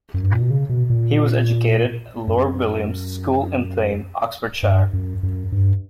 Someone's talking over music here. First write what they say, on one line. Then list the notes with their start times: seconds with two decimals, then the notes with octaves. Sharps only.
He was educated at Lord Williams's School in Thame, Oxfordshire.
0.14 F#2
0.23 G2
0.32 A#2
0.41 B2
0.50 C#3
0.69 B2
0.90 A#2
2.28 F#2
4.63 G2
4.93 F#2
5.23 F#2
5.52 G2